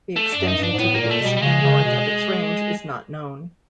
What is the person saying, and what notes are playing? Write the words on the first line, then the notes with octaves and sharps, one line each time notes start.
The extension to the east and north of its range is not known.
A3
D4
F#2
D#4
G2 D4
G#2
A2 B3
A#3
A#2
A3
B2 G3
G3
C#3 G#3
C#3
B2